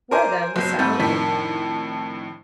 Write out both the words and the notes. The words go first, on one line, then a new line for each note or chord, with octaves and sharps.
Where, then, was Savareen?
A#4 C5 E5 G#5 C6 D6
F#1 B2 F#3 C7
G#2 G3 A3 C4
F2 A2 D#3 D4 B6